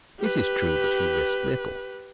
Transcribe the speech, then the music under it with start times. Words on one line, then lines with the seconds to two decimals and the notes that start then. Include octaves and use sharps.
It is true that he risked little.
0.19 G4 B4